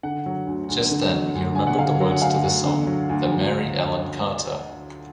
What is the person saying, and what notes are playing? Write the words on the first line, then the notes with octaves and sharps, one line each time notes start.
Just then he remembered the words to the song "The Mary Ellen Carter".
D3 F#5
F#3
D2
D2
D3
F#3
D2
D2 G#5
F#5
D3 F5
F#3
F#5
D2 F5
D2
D3
F#3
D2
D2